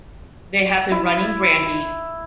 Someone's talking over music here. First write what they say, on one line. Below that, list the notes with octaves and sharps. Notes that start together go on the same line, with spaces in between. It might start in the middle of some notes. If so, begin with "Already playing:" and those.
They had been running brandy.
E4